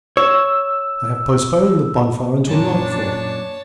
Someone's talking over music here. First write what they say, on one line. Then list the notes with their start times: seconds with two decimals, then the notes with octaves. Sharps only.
I have postponed the bonfire until nightfall.
0.17 C#5 E6
2.47 F#2 A#2 D4 C#5 A5